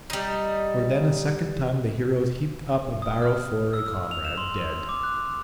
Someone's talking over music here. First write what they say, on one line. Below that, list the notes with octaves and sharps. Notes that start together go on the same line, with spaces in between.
For then a second time the heroes heaped up a barrow for a comrade dead.
G3 D#4
D#6
F6
E6
F7
E7
C6
D6
F#6